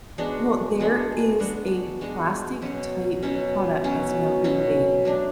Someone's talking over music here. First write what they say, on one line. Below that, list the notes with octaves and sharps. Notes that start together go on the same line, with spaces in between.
Well, there is a plastic type product that's now being made,
G#3 B3 D4 F#4
G#3 B3 D4 F#4
G#3 B3 D4 F#4
G#3 B3 D4 F#4
B2 F#3 C#4
B2 F#3 C#4
B2 F#3 C#4
B2 F#3 C#4
F#3 A3 D4